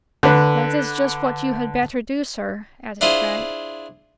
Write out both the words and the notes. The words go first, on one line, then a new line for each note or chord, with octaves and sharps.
"That is just what you had better do, sir," added Frank.
D3 B4
D4 E4 F4 G#4 C5